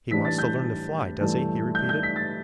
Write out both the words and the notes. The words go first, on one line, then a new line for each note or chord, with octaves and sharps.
"He wants to learn to fly, does he?" he repeated.
A2 E3 G3 D4 B6
A6
G6
G2 E3 A3
G6
G6
B6
A6